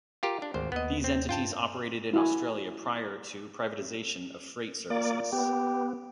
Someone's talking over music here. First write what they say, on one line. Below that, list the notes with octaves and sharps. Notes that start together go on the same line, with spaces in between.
These entities operated in Australia prior to privatisation of freight services.
F4 G4 A#4
D4
G#1 D2 C5
D#2 B3 D#5
C4
G2 F4 G5 A5
E4 F#4 G#5
A#2 A#3 D5
B3 G4